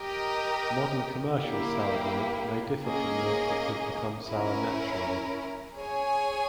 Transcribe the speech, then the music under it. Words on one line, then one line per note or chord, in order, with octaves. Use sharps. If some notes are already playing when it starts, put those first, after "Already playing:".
Modern commercial soured milk may differ from milk that has become sour naturally.
Already playing: G4 A#4 D#5 G5
A#3 E4 G4
A#3 C#4 G#4 D#5
C#4 E4 A#4
G#4 C#5 G#5